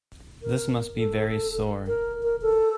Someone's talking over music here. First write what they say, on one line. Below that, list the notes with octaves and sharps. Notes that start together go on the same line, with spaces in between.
This must be very sore.
A#4
A4
A#4
A#4
A4